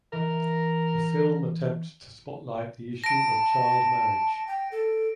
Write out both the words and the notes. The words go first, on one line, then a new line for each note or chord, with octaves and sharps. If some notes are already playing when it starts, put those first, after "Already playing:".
The film attempts to spotlight the issue of child marriage.
E3 A#4
A5 A#6 D7
G5
A4